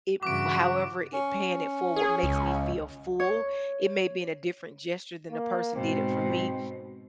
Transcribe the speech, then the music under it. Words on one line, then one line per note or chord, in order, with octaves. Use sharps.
it however it paying it forward makes me feel full, it may be in a different gesture than the person did it for me,
G2 C#3 E3 F#4 D6 D7
C#4
G#4
C#2
C#5
A#3
G#2 B2 C4